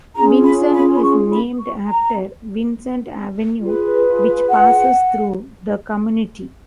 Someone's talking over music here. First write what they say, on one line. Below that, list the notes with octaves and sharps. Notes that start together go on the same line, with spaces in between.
Vincent is named after Vincent Avenue which passes through the community.
C#4 F4 G#4 A#5
B5
B5
B5
C#6
B5
C#6
A#5
F4 G#4 B4
F#5